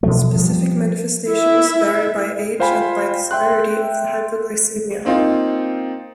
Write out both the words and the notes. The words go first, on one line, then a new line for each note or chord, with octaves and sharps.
Specific manifestations vary by age and by the severity of the hypoglycemia.
B2 F3 F#3 A3
F3 G3
E4 E5
F4 C5 F5 G5 G#5 B5
E5 G5 C6 F#6
A#3 C4 D#4 F4